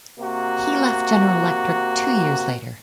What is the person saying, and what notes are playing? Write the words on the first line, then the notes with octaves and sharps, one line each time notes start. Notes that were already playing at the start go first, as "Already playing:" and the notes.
He left General Electric two years later.
C3 A#3 F#4